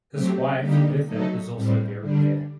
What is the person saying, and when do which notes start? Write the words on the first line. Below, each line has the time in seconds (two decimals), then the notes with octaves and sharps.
His wife Hertha is also buried here.
0.11 F#3 A3 C4 G4
0.59 D3 G3 A#3 D#4 G4
1.05 F#3 A3 D#4 A4
1.53 A2 G3 C4
2.00 D3 G3 D4